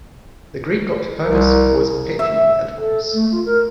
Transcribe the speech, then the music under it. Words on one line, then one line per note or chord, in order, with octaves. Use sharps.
The Greek god Hermes was patron of eloquence.
C2 A#4
E5
A4
A3
F4
A#4